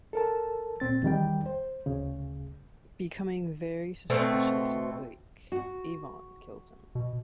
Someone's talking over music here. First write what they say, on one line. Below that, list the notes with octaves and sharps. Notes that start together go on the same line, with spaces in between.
Becoming very suspicious of Blake, Avon kills him.
A4 A#4 A5
C#2 A#2 C4 A6
E2 D#3 G3 G5
C5
D2 C#3
B2 A3 C4
F#4
B2